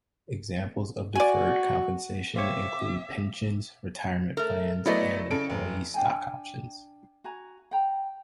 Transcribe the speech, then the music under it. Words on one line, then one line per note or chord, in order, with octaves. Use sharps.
Examples of deferred compensation include pensions, retirement plans, and employee stock options.
F#4 D5 G#5
C5 C#5 E5 F5 G5 D6
A3 A#4
F#3 A3 B3 E4 D5 D#5
C#3 A4 D7
F1
D4 G5 G#5
F#4 G#5 A#5
F#5 G5 A#5